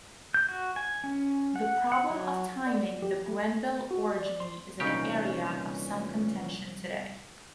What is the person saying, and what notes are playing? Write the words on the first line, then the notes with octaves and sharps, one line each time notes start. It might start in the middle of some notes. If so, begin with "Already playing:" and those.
The problem of timing the Grenville orogeny is an area of some contention today.
G6
F#4
G#5
C#4
F#5
F#5
F#3
D5
G4
A3
F#4
D5
C6
C2 A#2 C#3 E3 C#4 D#4 G4